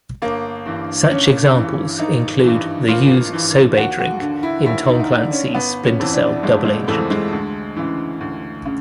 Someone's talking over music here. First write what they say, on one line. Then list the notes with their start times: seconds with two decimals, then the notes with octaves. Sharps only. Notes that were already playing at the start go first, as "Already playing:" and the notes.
Such examples include the use Sobe drink in Tom Clancy's Splinter Cell: Double Agent.
0.22 G1 A#3
0.65 G2 E3
1.10 G1 C#4
1.54 G2 E3
1.98 G#1 D#4
2.43 G2 E3
2.88 G#1 F4
3.32 G2 E3
3.77 D#2 F#4
3.99 F#4
4.21 D3
4.43 E4
4.66 D#2 E4
4.88 D#4
5.00 D#4
5.10 D3 D4
5.32 C#4
5.54 G1 B3
5.84 C#4
5.99 F2 C3 E3
6.13 D4
6.43 G1 G#3
6.65 G#3
6.87 F2 C3 E3 A3
7.10 G#3
7.33 D2
7.76 C#3 E3
8.21 D2
8.65 C#3